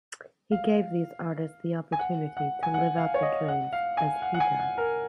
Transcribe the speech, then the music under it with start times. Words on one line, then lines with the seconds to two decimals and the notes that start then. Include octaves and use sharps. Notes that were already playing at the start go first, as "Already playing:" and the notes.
He gave these artists the opportunity to live out their dreams as he does.
0.52 F5
1.92 G#5
1.99 F#5
2.37 F#5
2.63 G#5
2.74 F#5
2.98 F5
3.14 C#5
3.22 D#5
3.48 F#5
3.73 F5
3.97 G#5
4.22 F#5
4.34 F#5
4.40 G#5
4.59 F#5
4.78 A#4